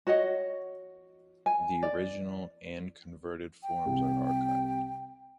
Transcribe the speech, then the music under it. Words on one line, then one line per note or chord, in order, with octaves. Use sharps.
The original and converted forms are archived.
F#4 C#5 D#5 F#5
G#5
D5
G5
C2 C3